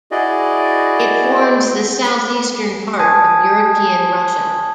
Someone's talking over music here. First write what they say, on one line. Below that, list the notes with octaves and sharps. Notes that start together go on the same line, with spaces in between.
It forms the southeastern part of European Russia.
E4 F#4 G#4 D5 D#5
G#5 A5 D#6 G#6